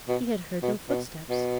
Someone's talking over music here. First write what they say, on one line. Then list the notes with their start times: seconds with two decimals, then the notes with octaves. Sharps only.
He had heard no footsteps.
0.08 B2
0.62 B2
0.89 B2
1.30 B2